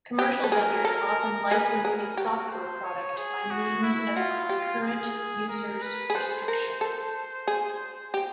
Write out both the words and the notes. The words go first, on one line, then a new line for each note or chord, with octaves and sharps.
Commercial vendors often license a software product by means of a concurrent users restriction.
G4 B4
A4
G#4 A#4
A4 A#4
G#4 B4
G#4 A#4
F#4 G4
C5
C#5
G#4
F#4
E4
F4 F#4
G4
G#4
A#4
B4
G#4
A4 C5
A#4
A4
G#4
G4